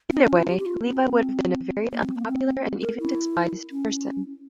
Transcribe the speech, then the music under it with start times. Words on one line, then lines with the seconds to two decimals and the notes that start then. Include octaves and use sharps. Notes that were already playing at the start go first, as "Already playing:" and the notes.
Either way, Levi would have been a very unpopular and even despised person.
0.12 C4
0.24 C#4
0.36 F4
0.48 G4
0.59 G4
0.66 F4
0.84 C4
1.92 A#3
2.04 C4
2.16 A#3
2.28 C4
2.82 A#4
2.99 E4
3.72 C#4